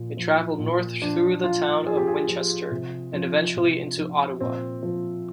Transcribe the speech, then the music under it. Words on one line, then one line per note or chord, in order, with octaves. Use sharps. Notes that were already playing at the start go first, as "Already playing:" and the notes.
It traveled north through the town of Winchester, and eventually into Ottawa.
Already playing: A#2 F3
F3
A#2
F3 D4
F3 F4
F3 G#4
G4
G#4
F3
C3
F3
C3
F3
A#2 C4
F3